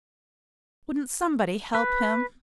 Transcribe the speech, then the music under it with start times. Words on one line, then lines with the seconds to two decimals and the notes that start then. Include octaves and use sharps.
Wouldn't somebody help him?'
1.75 B4